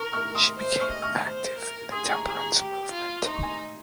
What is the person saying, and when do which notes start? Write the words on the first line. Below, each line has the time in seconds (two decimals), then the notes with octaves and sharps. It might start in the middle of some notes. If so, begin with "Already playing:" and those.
She became active in the temperance movement.
Already playing: A#4 C#6 F6
0.12 C#6 F6
0.35 C6 D#6
0.57 C5
0.80 C#6 F6
0.91 D#5
1.02 C#6 F6
1.25 C5
1.58 A#4
1.91 G#4 C6 D#6
2.14 A#5 C#6
2.25 G#4
2.36 A#5 C#6
2.59 G4
2.92 F4
3.25 D#4 C6
3.35 C#6
3.43 G#5 C6